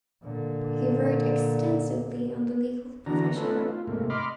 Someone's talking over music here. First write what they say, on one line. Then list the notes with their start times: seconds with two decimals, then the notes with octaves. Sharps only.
He wrote extensively on the legal profession.
0.23 A#2 D3
3.06 D3 E3 D4 F#4 A#5
3.36 A3 C#4 D#4 F4 A4 B4
3.68 F4
3.87 G#2 C3 A3 A#3
4.10 D#5 B5 C6 D6 F6